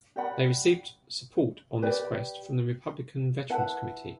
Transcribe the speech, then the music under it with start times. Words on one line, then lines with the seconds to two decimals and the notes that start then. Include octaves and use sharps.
They received support on this quest from the Republican Veterans Committee.
0.16 G4 D5 F#5 B5
1.82 G4 B4 D5 G5
3.49 E4 B4 F#5 A5